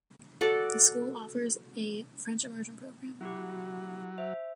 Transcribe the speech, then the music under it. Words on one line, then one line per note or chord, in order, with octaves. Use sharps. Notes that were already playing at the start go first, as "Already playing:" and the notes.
The school also offers a French Immersion program.
F#4 A4 D5
F#3 E4 F#4 G4
C5 E5